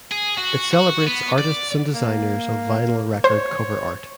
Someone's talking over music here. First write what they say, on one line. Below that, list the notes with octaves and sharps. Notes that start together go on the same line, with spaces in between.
It celebrates artists and designers of vinyl record cover art.
G#4
F#4
F#4
B3
D5
A#3
C5 C#5